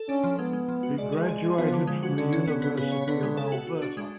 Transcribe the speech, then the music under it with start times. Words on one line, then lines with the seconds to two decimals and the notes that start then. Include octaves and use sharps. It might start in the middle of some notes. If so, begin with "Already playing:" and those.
He graduated from the University of Alberta.
Already playing: A4
0.09 C#4 D4
0.24 F3
0.38 G#3 B3
0.53 G#3
0.68 F3
0.83 F#4
0.98 G#3 D5
1.12 G#4
1.29 G#4
1.43 G#4
1.58 F3 B3
1.72 D3
1.87 F3 G#3
2.03 F#4
2.17 D3 C#4
2.33 C#4
2.47 D3 B3
2.62 B3
2.77 C#3 B3
2.92 C#5
3.07 D3 B3
3.23 G#3
3.37 A4
3.52 F#4
3.67 F#4
3.82 D4
3.97 G#3